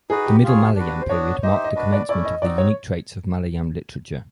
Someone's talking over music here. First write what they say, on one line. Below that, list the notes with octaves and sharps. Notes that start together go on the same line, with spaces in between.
The Middle Malayalam period marked the commencement of the unique traits of Malayalam literature.
D#4 F#4 G#4 B4
G4
F4 G#4 C#5
D4 F#4 B4
C5
B3 D4 F#4 C#5
D#4 G4 C5 D#5
E5
D#5
D4 F#4 B4 D#5
D5
A3 C#4 E4 D5
D#5
C4 D#4 F#4 D5
C#5